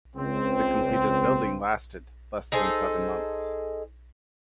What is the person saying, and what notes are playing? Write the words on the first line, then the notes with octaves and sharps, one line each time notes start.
The completed building lasted less than seven months.
C#2 C4
D#4 G#4 A4 C5